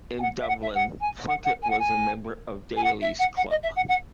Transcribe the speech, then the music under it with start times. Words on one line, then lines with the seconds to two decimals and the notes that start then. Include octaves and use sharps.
In Dublin, Plunket was a member of Daly's Club.
0.19 G#5
0.22 F#5
0.41 E5
0.48 F#5
0.62 E5
0.75 F#5
1.01 G#5
1.28 F#5
1.45 F#5
1.63 G#5
1.70 F#5
1.79 G#5
2.76 G#5
2.84 F#5
3.02 E5
3.19 F#5
3.37 F#5
3.50 D#5
3.63 E5
3.76 F#5
3.88 F#5